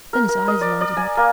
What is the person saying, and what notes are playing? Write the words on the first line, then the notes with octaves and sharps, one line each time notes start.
Then his eyes lighted up.
A#4
A#4
D#5
D5
D5
G#5
A#3